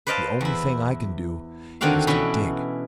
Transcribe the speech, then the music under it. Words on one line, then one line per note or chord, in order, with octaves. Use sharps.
The only thing I can do is to dig.'
B4 C5 D5 D#5 F5 A5
E2 E4
D3 D#3 C4 D4 F#4 F5
B2 E3 C#4 D4 E4 F#4